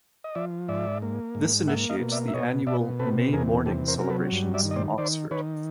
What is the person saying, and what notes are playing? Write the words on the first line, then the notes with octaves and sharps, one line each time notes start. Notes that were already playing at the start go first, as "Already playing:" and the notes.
This initiates the annual May Morning celebrations in Oxford.
D#5
F3 D5 E5
G#2 D5 E5
A#3
G#2
A#3 E5 F#5
D#5 F5
B2
D5 E5
E5
B2 C#5 D#5
B2 D5 E5
C3 A4 B4
E2 G#4 A#4
C3 G4 A4
A#4 C5
F#3 A#4
A4 B4
G2
D5 E5
D#3
D#5
C5 D5
D#3 C5 D5
D#3 B4 C#5